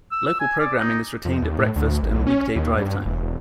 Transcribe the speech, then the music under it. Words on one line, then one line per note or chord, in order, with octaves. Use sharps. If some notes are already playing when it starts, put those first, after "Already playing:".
Local programming is retained at breakfast and weekday drivetime.
E6
E6
G#5
D5
D#4
F2
D#2
A2
D2
G#1
B1
C#4
D#2
G2
E1